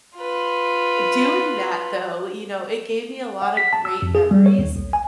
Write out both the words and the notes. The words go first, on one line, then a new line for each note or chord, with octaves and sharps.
doing that though, you know, it gave me a lotta great memories
F4 B4
F#5
B6
A5
E6
F2
G#4
G3
C#5
D#2
B1
G#5